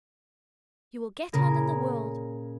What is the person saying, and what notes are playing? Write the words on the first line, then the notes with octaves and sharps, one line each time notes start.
You will get on in the world!
A#2 C#3 A#4 G#5